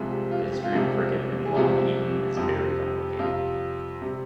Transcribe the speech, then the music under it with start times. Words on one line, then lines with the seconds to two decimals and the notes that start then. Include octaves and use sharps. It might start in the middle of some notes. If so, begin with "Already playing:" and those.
The history of cricket in Long Eaton is very complicated.
Already playing: C2 C3 F3 G#3
0.11 G4
0.31 F4
0.52 G4
0.64 F4
0.73 C2 C3 F3 G#3 G4
1.46 G#4
1.54 C2 C3 F3 G#3 G4
2.37 F2 C3 G3
3.19 F2 C3 G3 F4
4.02 C3 G3